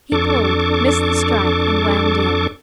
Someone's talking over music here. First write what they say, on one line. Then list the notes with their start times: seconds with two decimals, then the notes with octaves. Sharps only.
He pulled, missed the strike, and wound in.
0.12 F2 D4 A4 C#6 D6